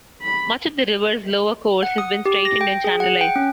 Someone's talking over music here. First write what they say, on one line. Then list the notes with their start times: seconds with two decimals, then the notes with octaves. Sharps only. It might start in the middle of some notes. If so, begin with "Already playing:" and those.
Much of the river's lower course has been straightened and channelized.
0.22 B5
1.83 F#5
1.98 D#6
2.26 G4
2.45 A#6
2.61 G5
2.84 G#4
3.00 F#5
3.21 G5
3.36 C#4